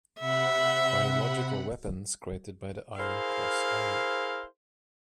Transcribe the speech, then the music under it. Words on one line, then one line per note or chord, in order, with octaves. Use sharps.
Biological weapons created by the Iron Cross Army.
C3 E5 F#5 B5
E4 G#4 A#4 C5 F5